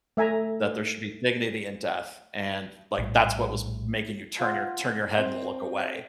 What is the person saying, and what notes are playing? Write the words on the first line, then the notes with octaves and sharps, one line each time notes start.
that there should be dignity in death, and, like, that's what was making you turn your turn your head and look away."
A3 E5 G#5 A#5
A#1 A2 G3
F4 F5 F#5 C6
C4